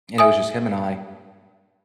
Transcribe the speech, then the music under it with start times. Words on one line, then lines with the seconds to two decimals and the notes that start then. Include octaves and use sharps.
and it was just him and I,
0.18 E5 G#5 D#6